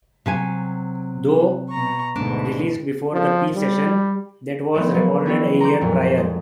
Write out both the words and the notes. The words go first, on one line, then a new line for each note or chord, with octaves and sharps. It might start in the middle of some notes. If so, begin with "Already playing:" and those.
Though released before "The Peel Session", that was recorded a year prior.
C3 F#3 G#5
B2 A#5 C#6
D2 G#2 B2 D4
F3
G3
F3 A3 B3 C4 D5
F#3 A#3 B3
E3 B3 E4 G4 C#5 D5
A#5 C6 D6 G6
F2 A#2 F#3
G#3